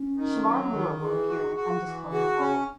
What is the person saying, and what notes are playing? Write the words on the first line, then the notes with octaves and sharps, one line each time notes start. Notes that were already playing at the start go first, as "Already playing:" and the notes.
Shemar Moore will appear in an undisclosed role.
Already playing: C#4
D#3
F#3
D#3
E3 G#4
F#4
F#4
E3
F#4 G#4
C#4